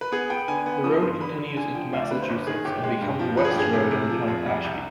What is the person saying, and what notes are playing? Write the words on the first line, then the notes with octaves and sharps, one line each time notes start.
The road continues into Massachusetts and becomes West Road in the town of Ashby.
B4
B3 G#4
B3 G5
D3 G#5
B3
F3 D#6
G2 C6
D3 B5
D3
D3 G#5
F3 G5
D2 F5
D5
D3 B4
C5
G1 B4
D#3 G#4
G1 G4
G#3
G2
F3
F3 B4
G#4
G4
G2 G#4
C3
C3
F3
F2
G3
C2